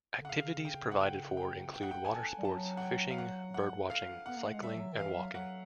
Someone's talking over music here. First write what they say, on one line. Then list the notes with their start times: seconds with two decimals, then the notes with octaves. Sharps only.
Activities provided for include water sports, fishing, bird watching, cycling and walking.
0.21 D3
0.25 F#5
0.29 C#3 F5
0.65 G5
0.91 F#5
1.01 G5
1.37 G5
1.74 G5
1.83 F#5
1.91 G5
2.05 G#5
2.10 A5
2.38 G3
2.45 F#3 A5
2.77 F#5
2.82 G5
3.11 F5
3.18 F#5
3.54 F#5
3.90 F5
4.26 B3 F#5
4.37 A#3
4.45 A3
4.54 G#3
4.62 G3 E5
4.75 F3
4.80 F#3
4.92 D#3
4.98 E3 F5
5.16 F#3
5.35 F#3 F#5